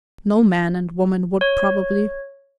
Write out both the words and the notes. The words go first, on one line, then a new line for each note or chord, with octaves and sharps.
No man and woman, would, probably.
C#5